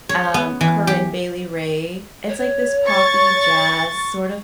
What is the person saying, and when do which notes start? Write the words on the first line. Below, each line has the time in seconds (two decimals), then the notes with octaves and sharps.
um, Corinne Bailey Rae, it's like this poppy jazz sort of
0.09 C#5
0.34 B3
0.61 E3
0.87 G4
2.29 C#5
2.87 C#6 A6